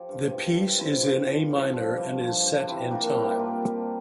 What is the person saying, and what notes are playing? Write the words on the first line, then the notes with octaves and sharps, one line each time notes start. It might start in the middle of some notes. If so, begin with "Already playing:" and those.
The piece is in A minor and is set in time.
Already playing: F3 G4 A4
G2
F3
G2
F3 C4 E4
G2
F3
G2
F3
G2
F3
G2
D4
G3 C4 E4
A#2 A#3 D4
G3 C4 E4
G4
A#2 D4 F4
G3